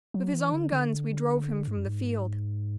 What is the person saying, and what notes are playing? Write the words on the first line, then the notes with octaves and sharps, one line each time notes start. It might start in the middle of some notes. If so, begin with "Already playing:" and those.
With his own guns we drove him from the field.
F#3
E3
D3
D3
G#2
F#2
G#2